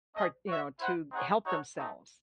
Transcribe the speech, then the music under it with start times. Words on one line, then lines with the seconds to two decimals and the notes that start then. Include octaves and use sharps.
part you know, to help themselves.
0.14 A3 C#4 G#4 D#5
0.47 F#4 C#5 E5
0.80 E4 C5 F#5
1.12 C4 D#4 G#4 C#5 F#5
1.44 D#4 F#4 A4 C#5 F#5
1.77 A3 C4 D#4